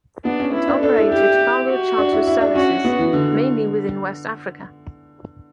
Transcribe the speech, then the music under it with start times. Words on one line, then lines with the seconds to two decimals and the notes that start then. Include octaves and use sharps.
It operated cargo charter services mainly within West Africa.
0.25 B3 D4
0.40 C#4
0.54 E4
0.68 D4
0.82 D4 A4
0.97 E4
1.11 E4 G4
1.69 F#4
1.98 D4
2.12 E4
2.27 E4
2.41 D4
2.56 C#4 F#4
2.85 B3
2.99 E3
3.13 D3